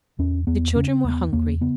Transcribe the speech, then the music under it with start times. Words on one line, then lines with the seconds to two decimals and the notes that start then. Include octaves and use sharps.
The children were hungry.
0.19 E2 C#4
0.47 E2 B3
0.76 C#3 C#4
1.04 E2 B3
1.33 E2 A#3
1.61 C#3 B3